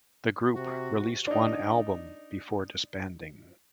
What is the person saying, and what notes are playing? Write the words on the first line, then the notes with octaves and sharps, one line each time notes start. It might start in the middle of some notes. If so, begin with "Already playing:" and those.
The group released one album before disbanding.
C3 F#4
D4 D#4